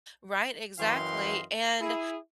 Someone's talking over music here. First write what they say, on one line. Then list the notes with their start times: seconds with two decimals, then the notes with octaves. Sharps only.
Right, exactly, and,
0.79 F#2 E3 D#5 F5 G5 C6
1.80 E4 G#4